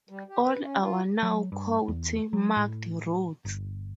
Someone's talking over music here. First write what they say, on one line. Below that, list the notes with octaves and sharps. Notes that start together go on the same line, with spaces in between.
All are now county marked routes.
G3
G4
B4
C#4
F4
F#3
G2
E2
F#3
A2
G1